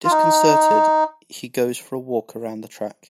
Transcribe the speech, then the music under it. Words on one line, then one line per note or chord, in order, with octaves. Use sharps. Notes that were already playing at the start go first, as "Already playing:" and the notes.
Disconcerted, he goes for a walk around the track.
F4
D#4